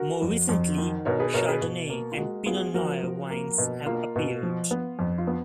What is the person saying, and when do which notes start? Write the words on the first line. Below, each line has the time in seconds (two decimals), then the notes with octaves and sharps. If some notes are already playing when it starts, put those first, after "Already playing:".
More recently, Chardonnay and Pinot noir wines have appeared.
Already playing: F#4 A#4
0.22 F2
0.49 F2
0.78 D#3
1.05 B2 A#4 C#5
1.19 G#4 B4
1.34 B2 A#4 C#5
1.48 G#4 B4
1.61 B2
1.90 A#3
2.12 F4
2.18 G#3 F#4
2.46 B3 F4 G#4
2.57 F#4
2.67 G#4
2.74 F3 F#4 A#4
3.03 F3
3.30 A#3
3.58 B2
3.86 A#3 F4
4.16 B2
4.43 F3
4.71 B3
4.99 F2
5.18 F4
5.27 B3